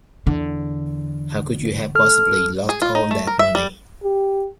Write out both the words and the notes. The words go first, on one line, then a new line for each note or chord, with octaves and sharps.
How could you have possibly lost all that money?
E2 D3
A4 F6
G#4
F4
D#4
A3
A#4
E5
G3
G4